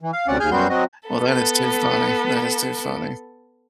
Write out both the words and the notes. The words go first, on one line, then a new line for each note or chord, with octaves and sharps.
Well, that is too funny, that is too funny.
E3
F5
D2 C3 C#4 D5 F#5
D#2 G#4 G#5 F6 G6
F#2 G3 B3 F#4 C6 G6
F#3 C4 F#4 D#5
B3 A4